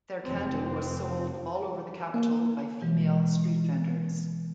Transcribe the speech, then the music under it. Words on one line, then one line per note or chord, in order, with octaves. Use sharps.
Their candy was sold all over the capital by female street vendors.
F1 C4
A#3
B2 E3 G#3